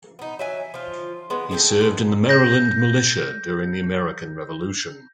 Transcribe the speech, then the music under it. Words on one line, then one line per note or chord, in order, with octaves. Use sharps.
He served in the Maryland militia during the American Revolution.
B3 D#4
F#3 E5 G#5
F3 F4
G#3 B3
G#4 A4 F#5 G5
G#3 B3
G6 A#6